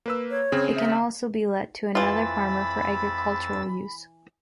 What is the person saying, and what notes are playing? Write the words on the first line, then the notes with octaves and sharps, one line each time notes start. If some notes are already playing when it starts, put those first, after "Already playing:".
It can also be let to another farmer for agricultural use.
A#3 B4 E6
C#5
C#3 C4 G#4
E5
F2 E3 F4 B5 E6 A6